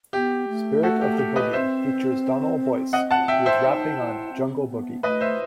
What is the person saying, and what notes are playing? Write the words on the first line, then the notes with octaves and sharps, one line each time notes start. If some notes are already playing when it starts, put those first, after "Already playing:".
"Spirit of the Boogie" features Donal Boyce, who was rapping on "Jungle Boogie".
B3 G4
A3
F#4 A4
G4
G4
B4 D#5
C4 C5 E5
D#5 F#5
F#5 A5
E5 G5
C5 E5
D#4
F#4
E4
C4
B3
A3 B4 D#5
C5 E5